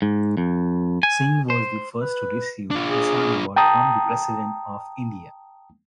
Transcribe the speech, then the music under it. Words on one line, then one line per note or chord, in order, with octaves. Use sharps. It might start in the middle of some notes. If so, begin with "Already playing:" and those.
Singh was the first to receive Kisan Award from the President of India.
G#2
F2
G#5
C5
B4
D4 F4
G#4
G5 A5 A#5 D#6